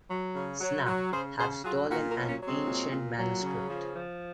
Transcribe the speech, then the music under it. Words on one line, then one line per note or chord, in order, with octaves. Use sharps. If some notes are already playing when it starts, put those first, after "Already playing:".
Snap, have stolen an ancient manuscript.
F#3
C#3
F#3
F#3
C#3 G#4 C5
C#3 G#4 C5
F#3 F4 G#4
A#2 F#4 A#4
F#4 A#4
F#3
A#3 C#4
F#3
G#3 C4
A#2
A#2
F#3
C#3
F3
F3